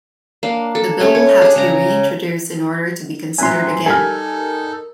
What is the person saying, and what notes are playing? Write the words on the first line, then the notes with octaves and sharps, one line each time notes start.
The bill will have to be reintroduced in order to be considered again.
A#3 D4
A4
A3 C#4
C#5
D4 G#4
C#3 A#5
F#2 A2 B4 E5 G#5 C6
G3 D#4 A4 A#4 G#5 F6